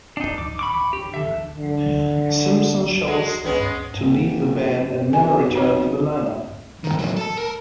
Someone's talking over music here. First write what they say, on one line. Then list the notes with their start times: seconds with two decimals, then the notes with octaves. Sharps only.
Simpson chose to leave the band and never returned to the line-up.
0.17 D4 D#4
0.38 D6
0.59 B5 C#6 D6
0.93 G4
1.14 A4 E5
1.58 D3
3.07 F#3 G#3
3.44 G#3 B3 C#4
4.02 F#1
5.13 B1 G#5
5.55 C4 C#5
6.84 D#3
6.99 A2 F#3
7.17 A4 A5
7.37 A#4